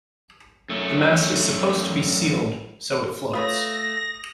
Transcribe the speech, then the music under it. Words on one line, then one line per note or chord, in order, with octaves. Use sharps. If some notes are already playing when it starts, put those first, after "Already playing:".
The mast is supposed to be sealed, so it floats.
F#2 A3
A3 F4 B4 C#5 D#6 A#6